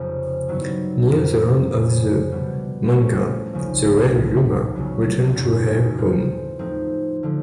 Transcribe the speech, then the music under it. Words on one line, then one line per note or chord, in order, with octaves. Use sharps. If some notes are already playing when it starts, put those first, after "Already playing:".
Near the end of the manga, the real Yuna returns to her home.
Already playing: F1 F2 C#3 F3 B3
G2 D#3 F#3 B3 E4
G1 F2 C3 F3
F2 C#3 F3
B2 G3 B3
A2 F3 A3 C#4
D#2 C#3 F3 G#3
F1 D#2 D3 F3
C#2 C#3 F#3 B3
G#1 F#2 C#3
A2 E3 G#3 C4 F4
A2 F3 A3 C4 D#4
D3 F3 A3